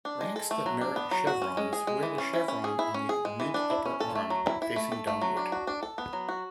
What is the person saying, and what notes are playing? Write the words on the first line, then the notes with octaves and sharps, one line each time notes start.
Ranks that merit chevrons wear the chevron on the mid-upper arm, facing downward.
D4
G#3
A4
A3
F#3
D4
B3
F#3
F#4
C#4
G#3
G#4
G#3
E3
C#4
E4
C#4
G#4
E4
C#4
G#4
G#3
E3
D4
E4
C#4
A4
A3
F#3
E4
E4
A3
A4
A3
F#3
D4
F#4
D4
A4
B3
F#3
F#4